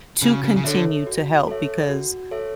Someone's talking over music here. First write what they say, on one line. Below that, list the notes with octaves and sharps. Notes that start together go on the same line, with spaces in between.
to continue to help because
C#3 F#4
C#3
C#3
D3 A4 C#5 E5
F#4
A4 C#5 E5
F#4
A4 C#5 E5